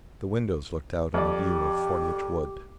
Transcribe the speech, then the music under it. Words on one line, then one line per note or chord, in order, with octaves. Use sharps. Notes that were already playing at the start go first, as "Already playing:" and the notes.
The windows looked out on a view of Fordwitch Wood.
F2 G4 D5